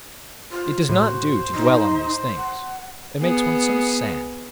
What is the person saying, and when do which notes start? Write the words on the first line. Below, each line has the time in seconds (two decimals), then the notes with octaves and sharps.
It does not do to dwell on these things; it makes one so sad.
0.52 F4 C5
0.89 A2 F#4 C5
1.54 D#4
2.37 F#5
3.21 B3 G#4